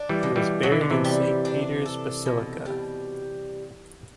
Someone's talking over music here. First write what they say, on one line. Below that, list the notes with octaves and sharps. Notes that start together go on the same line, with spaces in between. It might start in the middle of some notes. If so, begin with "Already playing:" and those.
He was buried in Saint Peter's Basilica.
Already playing: D4
E3 G3
B2
E3 G3
B2 F#3
E3
D3
C3 E3
G3
D4
A4
B2
G3